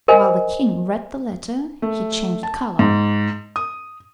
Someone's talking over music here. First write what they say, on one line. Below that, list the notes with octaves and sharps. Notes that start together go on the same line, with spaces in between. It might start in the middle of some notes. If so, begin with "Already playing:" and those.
While the king read the letter he changed colour.
A#4 C5 D#5 G#5
A3
A5
G#2
D#6